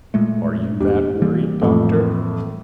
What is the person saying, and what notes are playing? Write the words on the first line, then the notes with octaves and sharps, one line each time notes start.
"Are you that worried, Doctor?"
A#2 G#3 A3
E2 A#2 D4 G4
E3 G3 A#3
F2 A2